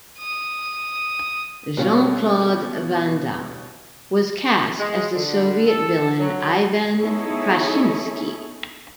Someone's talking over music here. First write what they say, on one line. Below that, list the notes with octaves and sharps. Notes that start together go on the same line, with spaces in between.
Jean-Claude Van Damme was cast as the Soviet villain Ivan Kraschinsky.
D#6
B2 G3 C#4 F4
G#3
D3
A4
F#3
B3 D#4 E4 G#4 A4 C#5